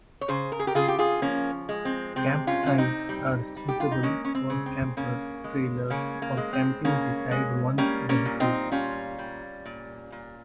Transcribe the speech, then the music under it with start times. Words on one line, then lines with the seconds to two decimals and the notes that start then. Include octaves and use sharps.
Campsites are suitable for camper trailers or camping beside ones vehicle.
0.21 C#5
0.28 C#3 G#4 C5
0.52 A#4
0.59 G#4
0.67 G4 A#4
0.75 C#3 F4 G#4
0.88 G4
0.99 F4 G#4
1.22 F3 A#3 C#4
1.69 G#3
1.85 C4
2.16 C3 C4
2.47 C#4 F4
2.63 C3 C#4
2.78 C4 D#4
3.09 G3
3.56 G3
3.69 G4
3.80 F4
3.91 D#4
4.03 G#3 A#3 C#4
4.25 C#4
4.35 C4
4.50 C#3
4.66 C4
4.97 C#3 A#3 C#4
5.44 G#3
5.90 C#3 A#3 C#4
6.22 A#3
6.37 G#3
6.53 C4
6.84 C#3 A#3 C#4
7.31 G#3
7.78 G3 A#3 C#4
8.09 A#3 C#4
8.25 A#2
8.40 C4 D#4
8.71 G3 C#4 F4
9.19 G3
9.66 A#2
10.12 A#2